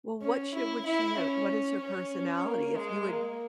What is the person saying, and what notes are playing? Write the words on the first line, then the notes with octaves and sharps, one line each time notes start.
Well, what should would she have what is her personality? If you had
C#4
E4
E4
C#4
C#4
A#3
G#3
A#3